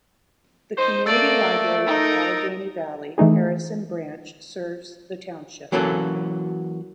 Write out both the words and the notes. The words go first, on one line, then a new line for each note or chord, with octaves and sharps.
The Community Library of Allegheny Valley, Harrison Branch serves the township.
D#4 C5
A3 A#3 D5 E6 A6 D7
D#4 A#4 A#5
E3 A3 D#4 G#4
E3 F#3 A#3 C#4 F#4 A4